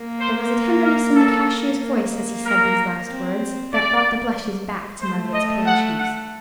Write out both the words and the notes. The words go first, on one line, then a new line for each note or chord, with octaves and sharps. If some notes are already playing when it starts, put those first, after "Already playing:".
There was a tenderness in the cashier's voice as he said these last words, that brought the blushes back to Margaret's pale cheeks.
Already playing: A#3
C5
A#4
A4
A#3
A#4
C4
D5
A3 C5
D#5
F#5
F#5